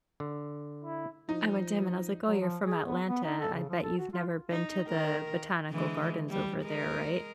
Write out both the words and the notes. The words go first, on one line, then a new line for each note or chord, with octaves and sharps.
I went to him, and I was like, "Oh, you're from Atlanta. I bet you've never been to the Botanical Gardens over there, right?"
D3
E4
F3 D#4
F#3
F3
G#4
B3
B3
D#4
A4
C#3
F3
A4
F#4
F4
D#4
D#3 A#4
D3 E3 G#3
G3
G#3 G#4 A#4